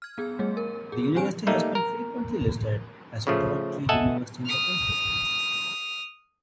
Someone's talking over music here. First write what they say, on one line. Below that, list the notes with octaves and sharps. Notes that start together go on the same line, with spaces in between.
The university has been frequently listed as a top three university in the country.
F6 G#6
B3 G#4
G3 A3 G#4
A#4
G#4
C4 D4 G4 C5 G#5 D7
G3 A3 A#3 D#4
A#4
C#3 F3 A3
A4 D#5 E5 F#5 G#5 A5
D#6 F6